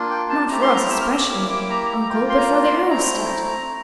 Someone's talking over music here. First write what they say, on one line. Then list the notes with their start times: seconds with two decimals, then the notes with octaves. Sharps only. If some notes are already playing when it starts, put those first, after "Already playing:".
Not for us, especially, uncle, but for the aerostat?
Already playing: A#3 D4 F4
0.10 G5
0.30 A5
0.50 A3 C4 E4 G4 A#5
0.62 C6
0.74 A#5
0.90 E6
1.01 F6
1.12 E6
1.30 A#3 E4 G4 E6
1.50 D6
1.70 A#5
1.90 A#5
2.10 A#3 F4 G5
2.30 C6
2.38 A#5
2.63 C6
2.90 A3 C4 E4 A#5